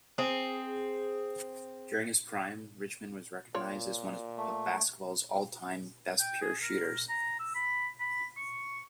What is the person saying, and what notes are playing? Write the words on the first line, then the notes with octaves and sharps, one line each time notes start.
During his prime, Richmond was recognized as one of basketball's all-time best pure shooters.
C4 G#4
A#2 F4 C#5 D5
A3
G5
G#4
A#4
A#5
E6
B5
B5
C#6